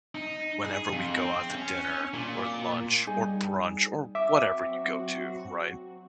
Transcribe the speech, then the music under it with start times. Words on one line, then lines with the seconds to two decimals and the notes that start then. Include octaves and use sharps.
whenever we go out to dinner, or lunch, or brunch, or whatever you go to, right?
0.15 D#4
0.66 G#4
0.92 F2
1.16 C4
1.51 C#4
2.14 A#2
3.07 G3 D#4 G#4 G#5
4.15 F#3 C4 F#4 E5 D6